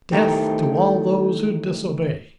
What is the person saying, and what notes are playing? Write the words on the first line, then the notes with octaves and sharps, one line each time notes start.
Death to all those who disobey.'
D#3 A3 E4 G4 A4 A#4